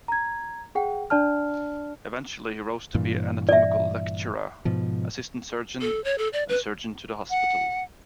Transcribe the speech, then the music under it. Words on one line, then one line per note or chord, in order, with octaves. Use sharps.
Eventually he rose to be anatomical lecturer, assistant-surgeon and surgeon to the hospital.
A#5 G#6
G#4 F#5 G5
D4 D5 A5 F6
G2 A#2 E3
D5 E5
G#2 B2 F3
A4
C#5
A4
D5
B4
F#5